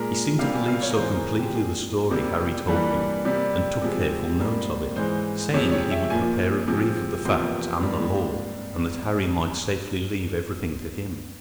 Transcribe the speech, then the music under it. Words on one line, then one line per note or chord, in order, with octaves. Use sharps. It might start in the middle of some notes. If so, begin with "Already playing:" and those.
He seemed to believe so completely the story Harry told him, and took careful notes of it, saying he would prepare a brief of the facts and the law, and that Harry might safely leave everything to him.
Already playing: A#2 G#3 A#4
C3 G3 A#3 F5
G#5
F5
C#5
A#4
G#2 E3 G#3 C5
A#4
G4
A#2 G#3 G#4
C3 G3 A#3
G2 E3 G3 A#3
C3 G3 A#3
C3 F3 G#3
G#2 G3 A#3
G#2 E3 G#3 C5
F2 C3 F3 G#3 C#5
C#5
E5
A#2 F3 A#3 G#5
C3 F3 G#3
E2 C3 F3 A#3 C6
G#2 G3 A#3